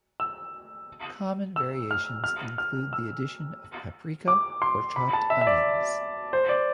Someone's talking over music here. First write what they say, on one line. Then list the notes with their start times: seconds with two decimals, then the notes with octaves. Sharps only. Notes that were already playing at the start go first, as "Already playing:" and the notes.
Common variations include the addition of paprika or chopped onions.
0.20 E6
1.56 E6
1.91 F6
2.24 F6
2.58 F6
2.93 E6
4.28 D6
4.62 C6
4.96 B5
5.13 A5
5.30 E5
5.41 E5
5.47 D5
6.33 C5
6.49 D5